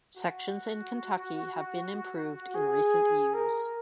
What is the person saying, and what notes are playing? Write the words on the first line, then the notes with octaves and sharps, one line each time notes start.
Sections in Kentucky have been improved in recent years.
F#4
G#4
A#4